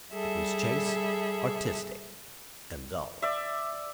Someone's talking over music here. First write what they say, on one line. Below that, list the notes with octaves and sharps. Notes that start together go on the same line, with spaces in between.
It was chaste, artistic, and dull.
G3 G#4 A4 E5
D5 E5